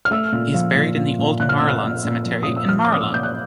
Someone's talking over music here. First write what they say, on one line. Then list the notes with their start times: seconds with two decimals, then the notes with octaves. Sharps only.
He is buried in the Old Marulan Cemetery in Marulan.
0.05 F6
0.11 A3 E6
0.32 A#2
0.54 F3
0.75 A#2
0.97 A#2
1.19 A#2
1.40 A#2 F#6
1.49 F6
1.58 A#2 E6
1.68 F6
1.83 A#2
2.05 A#2
2.25 F3
2.43 A#2 D#6
2.57 E6
2.68 F3 F6
2.85 D6
2.90 A#3 D#6
3.01 E6
3.11 A#3 G6
3.23 F#6